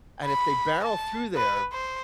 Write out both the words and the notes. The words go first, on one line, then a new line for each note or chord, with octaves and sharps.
and if they barrel through there,
B5
A5
B4
C5